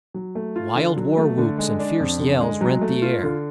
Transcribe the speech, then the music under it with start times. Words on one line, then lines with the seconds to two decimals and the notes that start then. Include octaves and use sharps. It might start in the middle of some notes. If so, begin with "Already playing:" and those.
Wild war-whoops and fierce yells rent the air.
0.14 F#3
0.35 A3
0.56 F4
0.76 D3
0.97 F#3
1.17 A3
1.38 D3
1.58 G#3
1.79 D4
2.00 F2
2.19 D3
2.41 G#3
2.61 F#3
2.81 A3
3.02 F4
3.23 D3